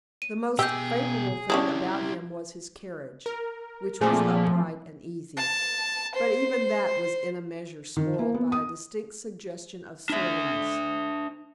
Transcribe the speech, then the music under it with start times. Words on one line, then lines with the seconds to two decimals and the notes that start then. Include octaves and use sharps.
The most favorable thing about him was his carriage, which was upright and easy, but even that was in a measure spoiled by a distinct suggestion of surliness.
0.22 D#7
0.59 B2 G4 G#4 G5 E6 G6
1.50 C#4 D4 E4 G4 D5 D#6
3.26 A#4
4.01 A#2 F3 A3 C4 G#4
5.37 A5
6.15 C5
7.97 D#3
8.19 A#3
8.34 B3
8.52 D#6
10.10 D4 E5